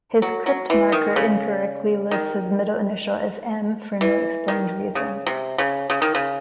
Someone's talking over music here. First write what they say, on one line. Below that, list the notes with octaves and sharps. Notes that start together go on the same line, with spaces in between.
His crypt marker incorrectly lists his middle initial as "M" for no explained reason.
F#3
F#3
E3
D#3
C#3
D#3
E3
D#3
C#3
C3
C#3
C#3
D#3
C#3